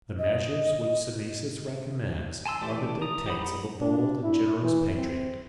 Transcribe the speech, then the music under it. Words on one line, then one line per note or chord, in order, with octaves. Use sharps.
The measures which Synesius recommends, are the dictates of a bold and generous patriot.
D#5
G#5 A5 C6 E6
E3 A3 G4 D5
A#5 D#6
G4 F#5 B5
D4
E4
E3
C4